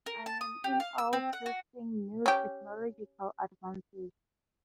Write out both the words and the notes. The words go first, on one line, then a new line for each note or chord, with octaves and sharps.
I am in awe testing new technological advances.
A#4
A5
D#6
G4
F5
E6
C4
F#5
F#4
C#4 G4